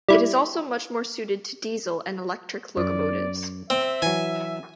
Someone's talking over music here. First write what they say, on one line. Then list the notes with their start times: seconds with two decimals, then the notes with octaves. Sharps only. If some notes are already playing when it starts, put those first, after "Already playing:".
It is also much more suited to diesel and electric locomotives.
0.09 G3 E4
2.77 F#2 D5
3.70 C4 E5
4.02 E3 F#3 G#5